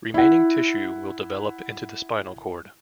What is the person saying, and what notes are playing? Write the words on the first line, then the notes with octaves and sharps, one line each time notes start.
Remaining tissue will develop into the spinal cord.
E4 F#5